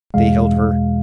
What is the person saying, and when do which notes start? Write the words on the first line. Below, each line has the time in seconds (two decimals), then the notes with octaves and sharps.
They held her.
0.14 E2 B2 G#3 F5